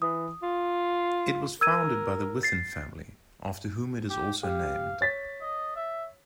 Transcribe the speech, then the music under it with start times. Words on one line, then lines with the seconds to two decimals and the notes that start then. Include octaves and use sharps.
It was founded by the Whitin family, after whom it is also named.
0.02 E3 D#6
0.43 F4
1.61 A#4 E6 G#6 D#7
2.43 A6 C7
4.10 G4
4.43 G4 F5
5.01 C#5 A6 B6
5.41 D#5
5.76 E5